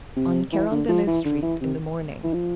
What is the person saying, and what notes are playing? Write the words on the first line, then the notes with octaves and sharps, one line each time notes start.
On Carondelet Street, in the morning.
C3
E3
D3
F3
E3
D3
E3
C3
E3
F3